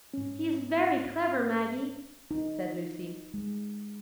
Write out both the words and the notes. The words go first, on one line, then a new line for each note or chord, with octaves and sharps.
"He is very clever, Maggie," said Lucy.
G#2 C#4
D#4
G#3